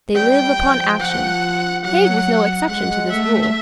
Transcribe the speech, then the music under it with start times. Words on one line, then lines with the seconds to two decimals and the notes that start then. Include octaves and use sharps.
They live upon action. Haig was no exception to this rule.
0.15 G3 G5
0.58 F3
1.00 F3 F#5
1.84 F#3 F#5
2.68 G#3 F#5
3.10 A3 E5